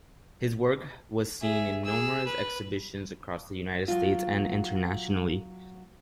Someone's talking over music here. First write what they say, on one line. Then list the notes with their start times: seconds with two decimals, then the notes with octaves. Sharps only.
His work was seen in numerous exhibitions across the United States and internationally.
1.42 G#4 E5
1.84 G#4 E6
2.26 B4
3.88 F#3 F4